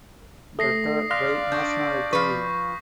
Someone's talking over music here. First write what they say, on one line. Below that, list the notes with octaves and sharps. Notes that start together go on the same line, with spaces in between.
Tatar by nationality.
A3 D#6 A#6 C7
D5 F5 C6 F6 F#6 A#6 B6
D4 C#6 G6
F3 B4 C#6 B6